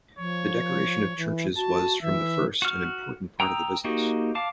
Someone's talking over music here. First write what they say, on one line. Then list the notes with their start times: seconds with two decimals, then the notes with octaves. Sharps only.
The decoration of churches was from the first an important part of the business.
0.18 F3 C#5
1.17 E3
1.56 F#4 A5
2.02 E3 E5
2.62 F#4 F6
3.40 G5 A#5 D#6 E6
3.84 A#3 D#4 F#4 G4
4.35 F5 A5 D6